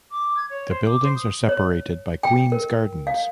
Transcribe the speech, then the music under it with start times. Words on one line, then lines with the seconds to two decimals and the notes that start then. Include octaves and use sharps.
The buildings are separated by Queens Gardens.
0.11 D6
0.36 G#6
0.49 C#5
0.69 C5
0.86 D6
1.03 C5
1.15 D#6
1.49 C#5
2.23 G5
2.52 A#4
3.07 F5